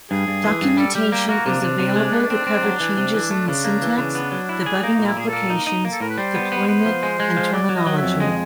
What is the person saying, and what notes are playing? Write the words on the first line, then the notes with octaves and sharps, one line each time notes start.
Documentation is available to cover changes in the syntax, debugging applications, deployment and terminology.
G2 G#4
G2
E3
G2
G3 A4
G3 G4
A#3 G4
A#3 F#4
C3 D4
C3
C3
G#3
A3
C4
C4
F#3
E3
C3
E3
A3
C#3 D4
A#3
E3
C#3
B3
F#3
E4
G#4
A#3 D#4
A#2
E4
A#2 G#4
A#3 A4
D#4
D#4
A#3
A4
A2 A#4
B4
G3 C5
B3
B3
B3
F3
G#3
G#3
F3
F#3 D5
F#3
D#5
F#3
E5
F2
G#3 D#5